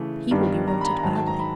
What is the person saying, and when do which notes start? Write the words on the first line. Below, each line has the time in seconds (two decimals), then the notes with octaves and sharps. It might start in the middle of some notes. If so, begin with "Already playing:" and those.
He will be wanted badly.'
Already playing: C#3 E3 A3
0.31 G2 D#3 G3 B3 D4
0.68 A#5
0.81 B5
0.85 A#5
0.98 A#5
1.03 G#2 D#3 F#3 A5
1.15 A5
1.27 A#5
1.39 B5